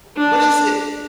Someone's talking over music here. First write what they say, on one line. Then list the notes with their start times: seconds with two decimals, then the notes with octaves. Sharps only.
u what is it
0.17 D4